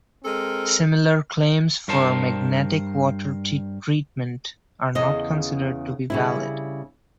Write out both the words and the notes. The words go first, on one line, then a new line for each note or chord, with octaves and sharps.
Similar claims for magnetic water treatment are not considered to be valid.
G#3 C4 A4 A#4
G2 A#4 C5 A5
E2 C#3 D#5
C#3 G3 E4